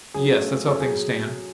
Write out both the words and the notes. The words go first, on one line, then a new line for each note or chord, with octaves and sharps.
"Yes--that's how things stand."
F#3 G#4
A3 C#4 F4
F#3
A3 C#4 F4 A4
F#3 G#4